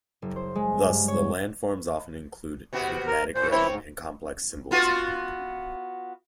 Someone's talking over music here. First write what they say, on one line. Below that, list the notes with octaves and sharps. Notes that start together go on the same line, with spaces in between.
Thus the landforms often include enigmatic writing and complex symbolism.
F#1
C5
G#3
G2
C#5
C3 B3 F#4
A#4
A2 C5
E3 C4 E4 C5 C#5
G#2
B3 F4 F#4